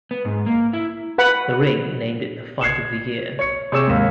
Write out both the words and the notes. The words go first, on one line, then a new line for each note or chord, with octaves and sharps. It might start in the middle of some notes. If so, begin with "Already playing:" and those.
"The Ring" named it the fight of the year.
B3
G#2
A#3
E4
B4 F#5 B5
G#6 C7 C#7 E7
C#5 C#7
C3 G#4 C#5 E6 E7
D#2 G#2